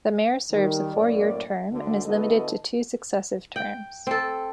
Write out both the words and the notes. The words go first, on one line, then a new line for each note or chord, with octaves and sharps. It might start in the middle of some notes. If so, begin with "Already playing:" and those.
The mayor serves a four-year term and is limited to two successive terms.
D#3 G3
F#2 A2 A#3 D5
D2 D3
B2 D3 E4 A4 B4 D#5
G5
C4 A4